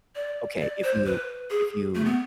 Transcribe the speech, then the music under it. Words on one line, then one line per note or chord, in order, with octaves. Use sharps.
okay, if you if you
D5
D5
C5
B4
G#4
A3
B3